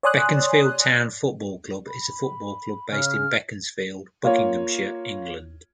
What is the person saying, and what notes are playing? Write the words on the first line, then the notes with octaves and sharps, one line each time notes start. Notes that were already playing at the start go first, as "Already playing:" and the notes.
Beaconsfield Town Football Club is a football club based in Beaconsfield, Buckinghamshire, England.
C#5 D5 G#5 C6 D#6 F#6
B5
C#3 F6
A#3 F4 C#5